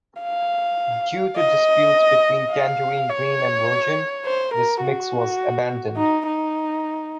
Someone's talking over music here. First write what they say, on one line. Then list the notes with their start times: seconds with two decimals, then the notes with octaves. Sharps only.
Due to disputes between Tangerine Dream and Virgin, this mix was abandoned.
0.22 F5
1.37 D#5
2.52 F5
3.10 C#5
4.25 C5
4.54 A#4
4.82 F#4
5.97 D#4
6.27 D#4